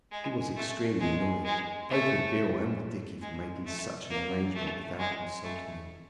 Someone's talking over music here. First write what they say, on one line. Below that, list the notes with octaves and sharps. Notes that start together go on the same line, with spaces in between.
He was extremely annoyed both with Beale and with Dickie for making such an arrangement without consulting him.
G#3
A3
G#3
G#3
A3
G#3
A3
A#3
A3
G#3
A3